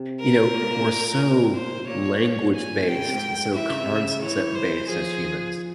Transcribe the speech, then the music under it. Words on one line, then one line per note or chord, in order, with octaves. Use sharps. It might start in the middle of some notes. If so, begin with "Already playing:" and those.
you know, we're so language based and so concept based as humans,
Already playing: C3
A#4
A#2
G#2
A#2
C3
A#2
C5
A#2 C#5
G#5
C3 G5
C#3
C3
G#2
E3 E5
C#3
C3
C#3
E3 C#5
C5
F3 G#4